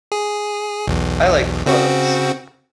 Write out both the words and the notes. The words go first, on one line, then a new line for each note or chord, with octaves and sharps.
I like clothes.
G#4
B1 E2
C#3 C4 F#4